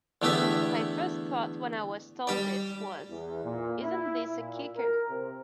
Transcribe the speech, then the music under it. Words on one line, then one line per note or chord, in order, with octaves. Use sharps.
My first thought when I was told this was 'Isn't this a kicker?
E2 D3 A3 B3 G4 E5
G3 G4 D5
E2
A#2
E4
A#2
A#4
C3